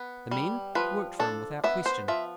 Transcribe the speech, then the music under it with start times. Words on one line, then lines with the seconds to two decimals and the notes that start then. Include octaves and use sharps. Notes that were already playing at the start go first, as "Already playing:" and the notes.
The men worked for him without question.
Already playing: B3
0.31 G3
0.75 F3 B4
1.20 D4 A4
1.64 B3 E5
1.86 C5
2.08 F3 E5